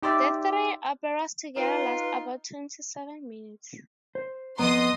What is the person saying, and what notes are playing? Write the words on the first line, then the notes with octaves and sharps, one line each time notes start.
The three operas together last about twenty-seven minutes.
D#4 G4 C5 D5 E5
D#4 F4 B4
C5
F2 B3 D#5 A#5 C6 D#6